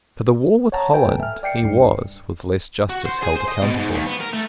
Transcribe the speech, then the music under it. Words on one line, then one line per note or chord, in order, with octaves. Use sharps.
For the war with Holland, he was, with less justice, held accountable.
C#5 F#5 A5 A#5
A4 B4 G5 G#5
E5 F6
D5 G5 C7 C#7
C#2 G2
F#4
C5
G#4
C5
D#5
B2
G#2
D#2
B3
A#4
A3